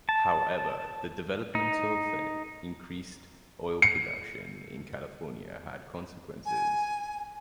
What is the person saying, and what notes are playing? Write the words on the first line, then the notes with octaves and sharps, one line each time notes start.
However, the development of increased oil production in California had consequences.
A5
D#4
C#7
G#5